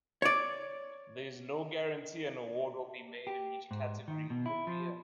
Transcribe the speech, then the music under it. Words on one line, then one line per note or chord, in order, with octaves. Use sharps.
There is no guarantee an award will be made in each category every year.
C#5 D5
G4
G#2
D#3
B2
E4
F3